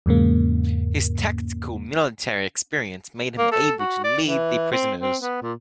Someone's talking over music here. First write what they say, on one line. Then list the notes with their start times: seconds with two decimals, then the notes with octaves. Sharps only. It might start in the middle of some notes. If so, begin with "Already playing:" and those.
His tactical military experience made him able to lead the prisoners.
0.06 E2 G#2 C#3 A#3
3.38 A#3
3.52 A4
3.80 F#4
4.04 D5
4.26 E3
4.72 C4
5.00 C4
5.22 B3
5.42 A#2